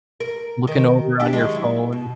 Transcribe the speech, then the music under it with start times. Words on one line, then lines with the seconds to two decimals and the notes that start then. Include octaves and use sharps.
looking over on your phone.
0.20 A#4
0.67 D#3 A#4
1.20 D4 E4 G4
1.33 D#3 F#3 G#3
1.56 E4
1.92 B2